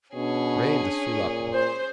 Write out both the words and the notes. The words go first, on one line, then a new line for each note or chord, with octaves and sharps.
Rey de Sulaco!
B2 C#4 D4 G#4
A#2
C5